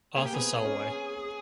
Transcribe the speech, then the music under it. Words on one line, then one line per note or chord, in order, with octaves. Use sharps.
Arthur Salwey.
A#3 G#4
G4
B3 G#4
C4
C#4